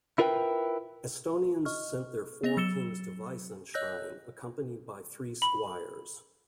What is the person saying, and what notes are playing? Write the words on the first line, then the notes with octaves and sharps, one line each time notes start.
Estonians sent their four kings to Weissenstein accompanied by three squires.
E4 F4 A#4 B4 F5 G5
D#5 C#6 F6
B3 D#5 A#6 F7
F#3 E6 A6 C#7 E7 G7
C#5 D#5 E6 F#6 G6 A#6
B5